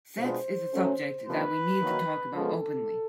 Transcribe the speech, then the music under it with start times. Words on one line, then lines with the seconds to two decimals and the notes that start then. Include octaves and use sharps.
Sex is a subject that we need to talk about openly.
0.18 B2 G#3 B3 D4 F4 C5
0.73 F#3 A3 C#4
1.26 C3 F3 A#3 D4 B4
1.81 D#3 F#3 A#3
2.34 C#3 F3 G#3 B3 A4